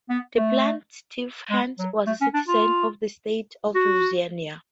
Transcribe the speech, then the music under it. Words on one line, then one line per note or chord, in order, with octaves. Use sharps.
The plaintiff, Hans, was a citizen of the state of Louisiana.
B3
A3
G#3
F#3
A3
C#4
D4
F4
F#4